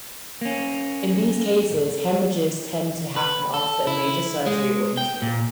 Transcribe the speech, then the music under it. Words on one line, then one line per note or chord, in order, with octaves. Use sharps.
In these cases, haemorrhages tend to happen after a major surgery or injury.
A#3 C#4
B4
A4
E4
G#3
G5
A#2